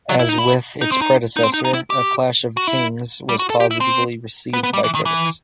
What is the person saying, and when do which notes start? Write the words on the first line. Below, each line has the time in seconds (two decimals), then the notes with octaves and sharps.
As with its predecessor, "A Clash of Kings" was positively received by critics.
0.09 F#3
0.19 E4
0.29 D#4
0.38 E4
0.81 D#4
0.92 C4
1.01 D#4
1.37 D#4
1.43 C4
1.54 D#4
1.65 D#4
1.74 E4
1.90 G4
2.57 F#4
2.67 E4
3.29 G3
3.39 F#4
3.50 A4
3.60 G4
3.71 E4
3.80 C4
4.53 B3
4.63 B3
4.73 G3
4.84 E3
4.95 D#3
5.05 E3